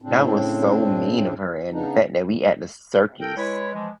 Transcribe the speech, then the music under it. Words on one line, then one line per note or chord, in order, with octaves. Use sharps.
That was so mean of her, and the fact that we at the circus,
A2 C#3 C4 D4
C#3 B3 D4 D#4
A4 A#4 G5
G#3 E4 B4 C#5
E3 F3 G#3